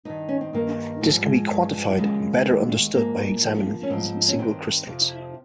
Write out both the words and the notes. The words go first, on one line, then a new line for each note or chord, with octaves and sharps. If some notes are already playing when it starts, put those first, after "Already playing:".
This can be quantified and better understood by examining single crystals.
G2 D#3 D#4
C#4
C4
G2 D#3 A#3
G#2 F3 A#3
G#3
G3
G#3
G2 F3
D#2 C#3 F3 G#3
D#2 D#3
G#2 F3 A#3
G2 F3
C#4
G#2 F3 C4
C#4
G2 D#3 C4
F2 C3 F3